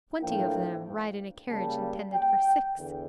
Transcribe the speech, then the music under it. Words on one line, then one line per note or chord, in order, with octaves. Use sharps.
Twenty of them ride in a carriage intended for six.
A2 F3 A#3 D4 G5
C#3 G3 A#3 A5
G5
E2 D3